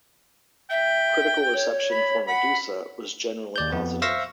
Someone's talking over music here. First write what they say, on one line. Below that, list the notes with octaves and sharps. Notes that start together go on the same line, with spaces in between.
Critical reception for "Medusa" was generally positive.
E5 G5
C#5
B5
F#5 B5
D#2 D5 G6
F2 B3
C5 E5 F5 C#6 E6 A#6